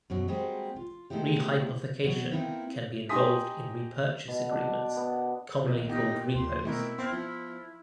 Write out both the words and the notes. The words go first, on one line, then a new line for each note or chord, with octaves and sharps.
Rehypothecation can be involved in repurchase agreements, commonly called repos.
F#2 B2 F#3
G3 G#3 A#3 C4 F#4 B4
F4
G#3 A3 B3 D#4 E4 G4
B2 F#3
A#3 C4 D#4 E4 A#4 B4
D#4 G4 G#5 C6 D#6 B6
B2
D4
B3
B1 A#2 D#3 F3
B3 D#4 G4
D#2 A#2 C6
B2 A3 C4 E4 A#4
B3 C4 C6 F6
F3